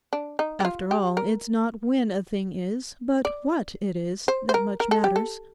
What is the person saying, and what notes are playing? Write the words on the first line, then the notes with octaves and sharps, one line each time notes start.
After all, it's not when a thing is, but what it is, that much matters.
D4
D#4
G4
F4
G4
A#4
D5
C5
C5
A#4
A#4
A4
G4
A4